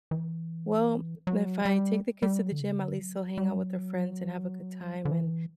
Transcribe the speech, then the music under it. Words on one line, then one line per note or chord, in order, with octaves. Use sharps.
"Well, if I take the kids to the gym, at least they'll hang out with their friends, and have a good time, and
E3
F#3
G3
G3
F#3
D3
C#3
D3
F#3
G3
F#3
D3
E3